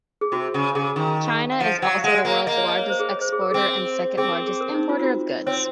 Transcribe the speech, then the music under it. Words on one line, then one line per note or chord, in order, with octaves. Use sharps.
China is also the world's largest exporter and second-largest importer of goods.
G#4
C3 F#4
C#3
C#3 G#4
D#3
F5
F3 F#5
F#3
F5
G#3 F#5
F#5
A#3
F5
A#3 D#5
C#5
D#5
C#5
C5
G#4
C#5
C5
G#4
A#4
C4 G#4
C4 G#4
A#4
G#4
A#4
D#4
F4
F4
F#4
C4 C#5